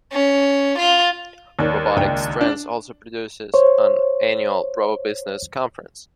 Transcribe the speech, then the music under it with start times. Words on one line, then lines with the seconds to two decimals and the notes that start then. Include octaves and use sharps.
Robotics Trends also produces an annual RoboBusiness conference.
0.12 C#4
0.79 F4
1.59 D#2 C#5 D5
1.96 C#2 D4 G5
2.41 D4
3.54 C5 C#5